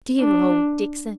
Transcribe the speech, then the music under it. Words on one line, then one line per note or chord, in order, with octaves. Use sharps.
'Dear old Dixon!
D4